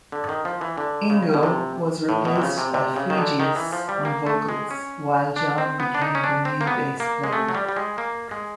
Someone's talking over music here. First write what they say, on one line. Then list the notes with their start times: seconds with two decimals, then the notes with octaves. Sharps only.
Ingo was replaced by Flegias on vocals, while John became the new bass player.
0.12 D3
0.29 D#3
0.45 F3
0.61 E3
0.78 D3
1.10 C#3
1.34 B2
1.43 C3
2.09 A2
2.25 B2
2.36 C3
2.42 C#3
2.58 C3
2.74 C3
2.96 C#3
3.10 D#3
3.18 D3
3.40 D#3
3.56 E3
3.73 F3
3.89 G3
4.05 A#3
4.27 A3
4.49 G#3
4.71 C#4
5.36 D4
5.58 C4
5.80 B3
5.95 D4
6.02 D#4
6.15 C#4
6.24 D4
6.45 C4
6.61 A#3
6.67 B3
7.00 A#3
7.24 G#3
7.33 A3
7.49 F#3
7.55 G3
7.69 G3
7.76 G#3
7.98 A#3
8.31 G#3